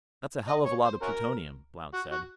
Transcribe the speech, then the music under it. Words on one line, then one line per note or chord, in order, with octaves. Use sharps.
"That's a hell of a lot of plutonium," Blount said.
D#5
C#5
C5
C#4 F#4 A#4
F#4
F#4